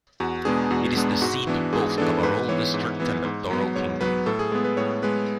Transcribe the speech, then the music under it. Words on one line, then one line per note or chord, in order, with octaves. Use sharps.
It is the seat of both Kabarole District and the Toro Kingdom.
E2 F#4
B2 G#3 B3 D4 G#4
E2 F#4
B2 G#3 B3 D4
G#2 F#4
E3 B3 D4
G#2 G#4
E3 B3 D4 A4
G#2 B4
E3 B3 C#5
G#2
E3 B3
G#2
F#3 B3
G#2 C#5
F#3 B3 B4
A2 A4
G#4
G#3 B3 G#4
B4
A2 C#5
G#3 B3 B4